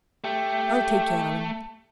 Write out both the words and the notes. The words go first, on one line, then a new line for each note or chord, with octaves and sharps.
I'll take care on him.
A3 G4